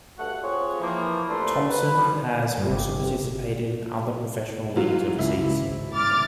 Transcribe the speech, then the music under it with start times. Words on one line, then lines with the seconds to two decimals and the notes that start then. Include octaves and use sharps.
Thompson has also participated in other professional leagues overseas.
0.19 G2 A3 F#4 F#5
0.43 C4 F4 G#4 C#5
0.81 E3 F3 A#3
1.29 C2 D3 A3 A#4 B4 C6
1.70 B4
1.97 B2 D3 F3 G3
2.58 G2 G3
2.70 G1 G4
3.01 C4
4.76 E3 F#3 F4
5.19 C#2 E4
5.56 G#1
5.94 D6 F6 A6